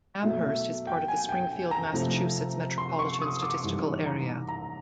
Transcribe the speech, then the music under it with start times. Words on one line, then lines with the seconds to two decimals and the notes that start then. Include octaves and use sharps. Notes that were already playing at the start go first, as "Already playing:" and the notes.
Amherst is part of the Springfield, Massachusetts Metropolitan Statistical Area.
0.22 B2 F#3 A3 E5
0.45 E5
0.87 G5
1.08 G#5
1.29 G5
1.71 A#5
1.93 C3 F3 A3
2.78 C6
2.99 C#6
3.22 D#6
3.42 D6
3.64 G#2 E3 G3
4.06 A#5
4.49 A#5